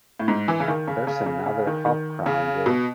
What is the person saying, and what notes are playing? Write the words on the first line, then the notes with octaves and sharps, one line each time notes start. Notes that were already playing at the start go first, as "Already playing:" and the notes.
There's another half-crown, Jo.
A2
G#2
E3
C#3
D#3
C#3
C#3
C#3
C#3
D#3
D#3
C#3
B2